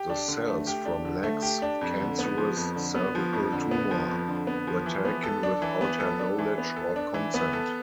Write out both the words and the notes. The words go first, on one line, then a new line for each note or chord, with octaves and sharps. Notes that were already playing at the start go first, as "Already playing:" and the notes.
The cells from Lacks' cancerous cervical tumor were taken without her knowledge or consent.
Already playing: G4
D4
D3
A3
G4
D4
D3
A3
G4
D4
F2
D3
B3
F3
F2
D3
B3
F3
F2
D3
B3
F3
F2
D3
B3
F3
E3
B3
A4
D4
E3
B3
A4
D4
E3
B3
A4
D4
E3
B3
A4